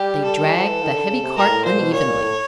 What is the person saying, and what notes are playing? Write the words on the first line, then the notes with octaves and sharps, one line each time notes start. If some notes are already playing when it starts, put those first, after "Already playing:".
They dragged the heavy cart unevenly.
Already playing: G3 G4
A4
F3
E3
D#3
D3
C#3
C3
A#2 A#4
A2
A#2 C5
B2
A#2 C#5
A#2
A2